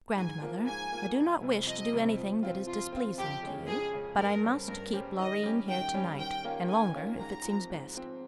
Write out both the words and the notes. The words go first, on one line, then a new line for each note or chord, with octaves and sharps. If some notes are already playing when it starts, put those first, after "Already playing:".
"Grandmother, I do not wish to do anything that is displeasing to you, but I must keep Loreen here tonight, and longer if it seems best."
G#2 G#5
F3 A#3
G#2 G#5
F3 A#3
F2
C3 G3 C4
F2 D#5
C3 G3 C4
F3
C4 F4
F3 F4
C4 F4
F2 G4
C#3 G#3 C#4
F2 G#4
C#3 G#3 C#4
G2 A#4
G3 C#4 G4 C5
G2 A#4
G3 C#4 G4 C5
D#3 D#5
G3 C#4 G4
D#3 G5
G3 C#4 G4
D#3 G5
A#3 C#4 F4
D#3 G#5
A#3 C#4 F4
G#2 A#5
F3 C4
G#2
F3 C4